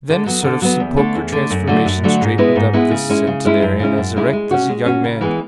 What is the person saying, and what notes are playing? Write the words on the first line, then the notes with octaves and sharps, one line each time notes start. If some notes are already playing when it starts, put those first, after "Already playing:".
Then a sort of sepulchral transformation straightened up this centenarian as erect as a young man.
D3
F#3 B3
D3
F#3 B3
E2
D3 A3
E2
D3 A3
F#2
D3 F#3 A3
F#2
D3 F#3 A3
G#2
G#3 B3 E4 B4
G#2
G#3 B3 E4 B4
C#3
G#3 C#4 E4
C#3
G#3 C#4 E4
F#2
C#3 G#3 C#4 E4
F#2
C#3 G#3 C#4 E4
G#3
C#4 F#4
G#3
C#4 F#4
C#3
E3 G#3 B3